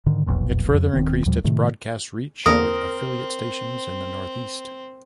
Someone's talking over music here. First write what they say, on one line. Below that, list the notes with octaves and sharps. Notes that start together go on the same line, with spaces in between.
It further increased its broadcast reach with affiliate stations in the northeast.
G#2 D3 D#3
E1 B1 F2 A#2
F2
D1 D#3 C4
D#2 A#2 F3 G3
A2 C3 D#3 A3
E2 D3 A#3 C4 A#4 D#6